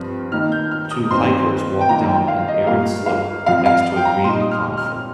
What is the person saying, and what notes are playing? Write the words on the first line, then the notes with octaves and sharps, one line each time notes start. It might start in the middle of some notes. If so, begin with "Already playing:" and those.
Two hikers walk down an arid slope next to a green conifer.
Already playing: G2 F3 C4
D#3 A#3 D#4 F6
G6
F6
D#6
G2 D#3 C4 C6
G5
D#3 A#3 F4 A#5
G5
F5
D#5
G2 G3 A#3 F5
F5
F2 F3 C4 F5
F5
G5
A#5
A#2 G3 D#4 C6
D#6
F6
F6